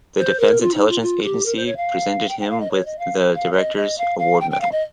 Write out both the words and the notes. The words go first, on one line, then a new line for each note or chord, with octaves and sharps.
The Defense Intelligence Agency presented him with the Director's Award Medal.
C5
A#4
F4
D#4
F4
F4
G4
A#4
C5
C#5
F5
G5
G5
D#5
F5
D#5
C#5
D#5
F5
F5
C#5
D#5
D#5
F5
F5
G5
G5
F5
D#5